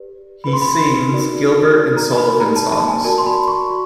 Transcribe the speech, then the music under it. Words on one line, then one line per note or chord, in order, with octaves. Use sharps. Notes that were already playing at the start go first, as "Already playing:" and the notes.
He sings Gilbert and Sullivan songs.
Already playing: G4 B4 D5
F4 G#4 B4 B5
C6
B5
D#4 F#4 A#4 D5
D#4 F#4 A4 D5
A#5
B5
D#4 G4 B4 D5 A#5
A5
A5
G#5
F#4 A#4 D5 A5
C6
B5
C#6
F#4